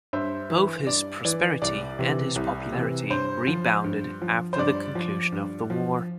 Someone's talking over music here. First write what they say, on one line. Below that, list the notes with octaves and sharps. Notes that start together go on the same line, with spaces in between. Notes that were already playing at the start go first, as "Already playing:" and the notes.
Both his prosperity and his popularity rebounded after the conclusion of the war.
G2 C5 E5
E3
G2 D5
E3 D5
C2 D5
C3 E3
C2
C3 E3
G2 C5
F3
G2
F3
C5
G2 D5
F3
G2
F3